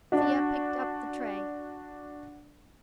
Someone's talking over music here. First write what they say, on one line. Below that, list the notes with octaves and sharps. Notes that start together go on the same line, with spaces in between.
Thea picked up the tray.
D4 F#4